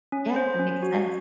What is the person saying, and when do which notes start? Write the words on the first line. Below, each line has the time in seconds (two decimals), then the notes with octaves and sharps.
Yeah, that makes sense.
0.12 C#4
0.36 C5
0.59 C#4
0.83 F#4